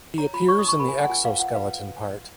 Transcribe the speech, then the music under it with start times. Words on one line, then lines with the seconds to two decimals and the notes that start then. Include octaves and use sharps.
He appears in the "Exoskeleton" part.
0.18 C#5 A#5
0.33 F4 B5
0.48 C#5 C#6
0.59 D#6
0.64 D#4 C#6
0.80 A#4 B5
0.89 G#5
0.94 C#5
0.99 G#5
1.04 F#5
1.10 F4 G#5
1.24 B4 F5
1.39 F4 F#5
1.54 B4 F5